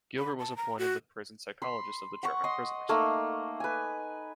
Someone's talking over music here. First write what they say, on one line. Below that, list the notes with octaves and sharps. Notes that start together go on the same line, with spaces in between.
Gilbert was appointed the Prison Psychologist of the German prisoners.
B5
A5
A#5
F#4
B5 C6
F#5 C#6
D#5 C6
A3 A#3 D#4 A#4
B4 G#5